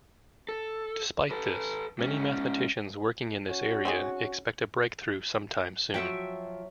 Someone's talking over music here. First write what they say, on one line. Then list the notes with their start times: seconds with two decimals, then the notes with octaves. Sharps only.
Despite this, many mathematicians working in this area expect a breakthrough sometime soon.
0.49 A4
1.31 A4 B4
1.99 G#2 C#4
3.49 C#4 F#4
3.85 C4 D#4 G#4
5.94 F3 F#3 F#4 E5 G5 C#6